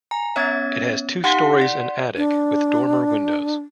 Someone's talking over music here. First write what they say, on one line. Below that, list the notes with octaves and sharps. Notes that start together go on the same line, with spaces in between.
It has two storeys and attic with dormer windows.
G#5 A#5
B3 C#4 C#5 E5 G#6 A6
D#4 G4 F5 F#5 C6 B6
D5
D4